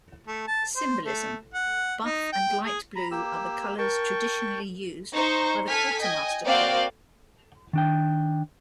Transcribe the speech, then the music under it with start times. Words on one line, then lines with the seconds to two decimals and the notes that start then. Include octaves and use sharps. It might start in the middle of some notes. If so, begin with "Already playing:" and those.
Symbolism: Buff and light blue are the colors traditionally used by the Quartermaster Corps.
0.27 A3
0.47 A5
0.76 C5
1.05 A3
1.54 F#5
2.05 D#4
2.32 G5
2.65 G#4
2.96 A#5 B5
3.11 A#3 G4 E6
3.78 A#4 G5 A5 C#6
5.15 D#4 C5 C#6
5.67 A4 G#5 F6 B6
6.01 D#5 G5 G#5
6.45 A#3 C4 F#4 D5 F5 G5
7.73 D#3 D4 G5